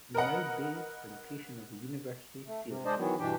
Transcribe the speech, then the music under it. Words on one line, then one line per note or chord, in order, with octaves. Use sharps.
Mainau Bay is the location of the university sailing club.
A#4 B4 D#5 F#5
A3
C3
G#3 D4 C5 D5 D#5
D#3 E3 F#3 B3
G2 B2 E3 D4 G4 G5